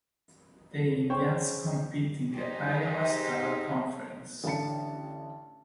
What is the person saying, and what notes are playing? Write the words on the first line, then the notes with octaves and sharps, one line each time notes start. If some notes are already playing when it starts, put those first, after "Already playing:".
The Indians compete in the Iowa Star Conference.
C#3 C5 C#5 G5 C#6
D#4 G4 G#4 C5
A1 D3 F5 A5 C#7